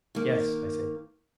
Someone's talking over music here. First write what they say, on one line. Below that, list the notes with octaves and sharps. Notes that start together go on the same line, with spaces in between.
"Yes," I said.
D#3 A#3